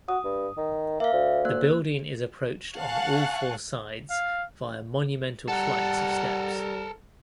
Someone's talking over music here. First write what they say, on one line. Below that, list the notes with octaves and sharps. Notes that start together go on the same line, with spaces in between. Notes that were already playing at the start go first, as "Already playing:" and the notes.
The building is approached on all four sides via monumental flights of steps.
F#4 D#6
G2
D#3
A#3 E5 F5
D2
A#3 F#6
F5 F#5 G#5 A5 C#6 F#6
F5
G3 A4 A#4 F#5